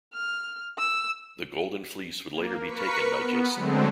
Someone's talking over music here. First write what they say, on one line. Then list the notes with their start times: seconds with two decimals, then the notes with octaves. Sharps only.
The Golden Fleece would later be taken by Jason.
0.14 F6
0.78 E6
2.32 A#3
2.64 A#4 B4 C#6 B6 C#7
3.16 B3
3.54 D3 F#3 G#3 A3 C4